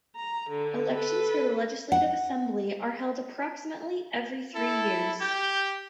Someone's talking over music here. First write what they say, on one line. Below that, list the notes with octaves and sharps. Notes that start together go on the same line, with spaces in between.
Elections for the Legislative Assembly are held approximately every three years.
A#5
D3
A4 B4
F#5
E4 A4
G4 G6